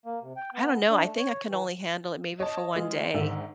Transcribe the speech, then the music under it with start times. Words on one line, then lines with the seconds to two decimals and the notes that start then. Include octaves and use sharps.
I don't know. I think I can only handle it maybe for one day.
0.06 A#3
0.22 C3
0.36 G5
0.54 B3
0.90 D4
1.04 A3
1.17 C#5
1.49 E3
2.40 C#5 D#5 A5
2.76 E3 G#3 F4
3.14 G#2 D3 D#3 E5